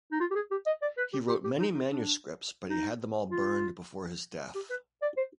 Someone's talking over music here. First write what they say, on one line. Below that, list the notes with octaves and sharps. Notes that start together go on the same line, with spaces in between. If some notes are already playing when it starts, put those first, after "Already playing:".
He wrote many manuscripts, but he had them all burned before his death.
D#4
F4
G4
G#4
G4
D#5
D5
B4
G4
G4
G4
D#4
D#4
D4
D#4
F4
G4
B4
D5
C5